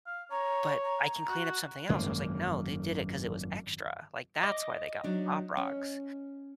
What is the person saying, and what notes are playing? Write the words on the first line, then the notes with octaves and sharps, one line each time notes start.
but I can clean up something else." I was like, "No. They did it 'cause it was extra. Like, that's why they got Pop Rocks."
F5
C#5 A#5
A#5
F#4
G#1 F#2 A#3
D#5 D6
F#3 D4 D#4
C#4